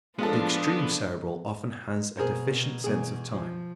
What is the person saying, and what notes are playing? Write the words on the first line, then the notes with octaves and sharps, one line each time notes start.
The extreme Cerebral often has a deficient sense of time.
F3 G#3 B3 D4 F4 A4
B2 G#4 A#4 C5
E2 B2 G#4
F3